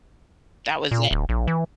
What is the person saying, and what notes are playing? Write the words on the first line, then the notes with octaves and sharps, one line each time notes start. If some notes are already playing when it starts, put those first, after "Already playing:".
that was it.
A#2
D1
A#1
E3